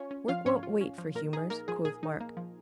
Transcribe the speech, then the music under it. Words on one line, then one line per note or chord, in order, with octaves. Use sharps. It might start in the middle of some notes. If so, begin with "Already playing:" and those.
"Work won't wait for humors," quoth Mark.
Already playing: C#4 F4 C#5
C#4
F3 F4 F5
G#2 C#4 C#5
F4
C#4
F3
A#2 A#4
D#4 G#4
A#3 A#4
F3 G#4
A#2 G#4
D#4
A#3
F3